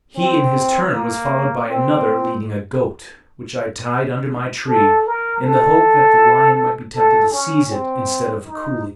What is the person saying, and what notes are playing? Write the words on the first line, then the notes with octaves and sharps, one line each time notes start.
He in his turn was followed by another leading a goat, which I tied under my tree in the hope that the lion might be tempted to seize it instead of a coolie.
C4
A#3
C4
A4
A#4
A4
A4
C#4
C4
D#4